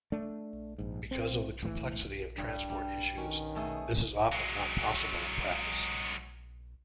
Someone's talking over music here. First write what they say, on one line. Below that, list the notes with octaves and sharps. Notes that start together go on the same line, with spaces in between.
Because of the complexity of transport issues, this is often not possible in practice.
A3 D4
A#1 G#2
C4
E1 A2 E3
G2 G3 D4
G3
D#3 C#4
B2 A3 G#4
F#3 G#3